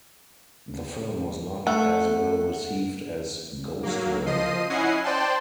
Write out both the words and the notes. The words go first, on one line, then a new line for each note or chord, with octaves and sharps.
The film was not as well received as "Ghost World".
A3 F#5
F#3 A#3
F3 D#5 C7 D#7
C#4 E4 D#5 F#5 G#5 C7
C5 D5 G5 A5 C6